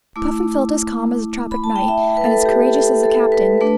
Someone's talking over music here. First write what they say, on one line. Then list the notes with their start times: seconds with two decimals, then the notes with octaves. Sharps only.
Puffin felt as calm as a tropic night, and as courageous as a captain.
0.16 A3 E4 D6
1.51 B5
1.64 A5
1.76 G5
1.88 E5
2.17 B4
2.24 A4
2.31 B4
2.46 G4
2.74 A4
3.03 A4
3.32 B4
3.61 A3 D4 B4